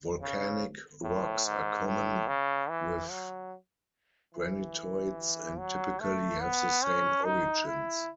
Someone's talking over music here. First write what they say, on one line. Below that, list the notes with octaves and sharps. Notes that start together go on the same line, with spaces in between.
Volcanic rocks are common with granitoids and typically have the same origins.
C#3
A2
G#2
A2
C#3
E3
F#3
E3
F#3
A3
B3
C#4
D#4
E4